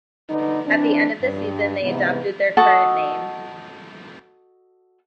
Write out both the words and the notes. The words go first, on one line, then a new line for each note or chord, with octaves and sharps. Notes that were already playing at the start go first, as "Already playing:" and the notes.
At the end of the season they adopted their current name.
D3 D#4 B4
E3 C4 D4
G2
G#2 C3 E3 B3
F#4 A4 D#5 A5